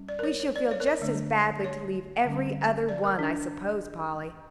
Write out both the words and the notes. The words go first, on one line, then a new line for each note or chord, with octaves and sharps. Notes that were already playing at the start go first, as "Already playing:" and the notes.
"We shall feel just as badly to leave every other one, I suppose, Polly."
Already playing: G3 C#4
D5
A#4
C#5
C#5
D5
C#5
A#4
C#5
D3 A3 D4
C#5
D3 G3 C#4
D5
A#4
D4